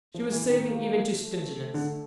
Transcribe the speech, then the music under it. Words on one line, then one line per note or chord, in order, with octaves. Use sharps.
She was saving even to stinginess.
F3
E3
D#3
A#3
A3
D3